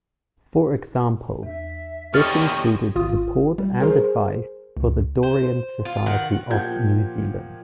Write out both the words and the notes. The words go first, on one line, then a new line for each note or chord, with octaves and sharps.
For example, this included support and advice for the Dorian Society of New Zealand.
E2 E5
E2 D3 G4 C#5 D#5 F6 A6
G#1 F4 D#6
G3
G#4 A#4 C5
C#2
C5
F4
D#3 F#5
A#2 F3 G4 F#5 G6 G#6